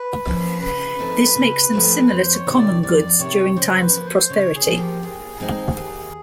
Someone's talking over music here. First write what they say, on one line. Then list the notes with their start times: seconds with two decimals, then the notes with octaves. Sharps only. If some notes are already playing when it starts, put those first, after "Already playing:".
This makes them similar to common goods during times of prosperity.
Already playing: B4
0.25 F3 A#3 C#4 F4
0.62 C#3 B4
0.99 F3 A3 C4 D#4
1.36 C#3
1.72 F3 A3 C4 D#4
2.09 F2 C5
2.33 C#5
2.47 C3 D#3
2.59 D5
2.83 F2 D5
3.19 C3 D#3 C#5
3.57 C#3 C5
3.82 B4
3.93 F3 A#3
4.06 C5
4.30 C#3 C#5
4.55 G#4
4.67 F3 A#3
4.79 G4
5.03 D#2 G#4
5.40 D#3 G#3 C4 D#4
5.78 D#2